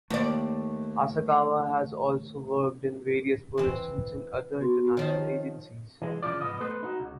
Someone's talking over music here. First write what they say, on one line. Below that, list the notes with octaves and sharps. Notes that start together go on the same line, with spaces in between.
Asakawa has also worked in various positions in other international agencies.
D#2 A3 D5
E3 C4
B3 F#4 C6
D#3 F3 C#5
E3 G#3
C#3 F3 F4 D5
G#2 B3 D#5
A3 B3 B4 C5
D#4 F#4
C#2